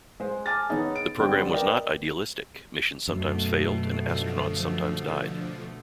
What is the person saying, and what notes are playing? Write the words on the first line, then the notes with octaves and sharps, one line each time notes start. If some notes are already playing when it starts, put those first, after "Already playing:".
The program was not idealistic; missions sometimes failed and astronauts sometimes died.
G#3 C5
G#5 A5 D6 F6 A6
D#3 B3 C#4 D#4 G#4
D7
D3 G3 B3 C4
A#4 B4 D5 D#5 G5
F#2 B2 A3
D3 F3